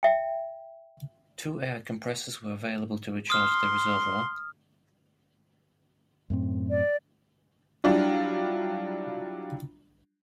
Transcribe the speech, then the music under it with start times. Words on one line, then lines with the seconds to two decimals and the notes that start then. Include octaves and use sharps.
Two air compressors were available to recharge the reservoir.
0.03 E5 G5
3.30 C6 D#6 F6
6.30 F#2 A2 C4
6.69 D5
7.84 F#3 G3 D4 E4 F4